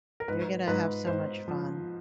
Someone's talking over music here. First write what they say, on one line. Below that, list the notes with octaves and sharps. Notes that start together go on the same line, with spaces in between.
You're gonna have so much fun.
A#4
G#2 B4
G#2 B4
G#2 C5
F3